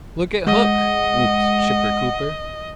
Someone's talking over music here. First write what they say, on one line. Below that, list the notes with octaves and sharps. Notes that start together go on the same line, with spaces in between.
"Look at Hook!" whooped Chipper Cooper.
G#3 D#5 F#5